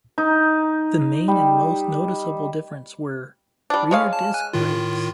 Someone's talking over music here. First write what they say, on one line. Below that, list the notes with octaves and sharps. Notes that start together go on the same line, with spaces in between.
The main and most noticeable difference were rear disc brakes.
D#4
G3
G3 D4
G#3 C#5 F5
A5
G#5 F#6
A2 D#3 F4